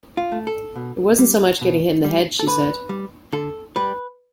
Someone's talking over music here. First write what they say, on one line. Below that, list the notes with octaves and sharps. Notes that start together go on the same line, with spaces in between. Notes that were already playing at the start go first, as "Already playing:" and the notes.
"It wasn't so much getting hit in the head," she said.
F4
A3
A4
B2
G3
B2
G3
A4
D3 B4
G3
D3 A4
G3 B4